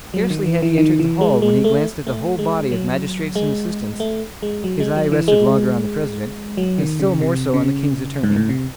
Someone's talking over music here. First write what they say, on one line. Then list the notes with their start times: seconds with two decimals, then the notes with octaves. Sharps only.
Scarcely had he entered the hall when he glanced at the whole body of magistrates and assistants; his eye rested longer on the president, and still more so on the king's attorney.
0.14 F#3
0.30 D#3
0.46 E3
0.62 E3
0.78 D#3
0.99 E3
1.21 G#3
1.42 G#3
1.64 A3
2.07 A3
2.39 G#3
2.72 F#3
3.36 G#3
4.00 A3
4.42 G#3
4.64 F#3
4.80 G#3
4.96 F#3
5.12 E3
5.28 G#3
6.57 F#3
6.78 D#3
7.00 C#3
7.21 C3
7.54 C#3
8.23 G#2
8.36 A2
8.49 C3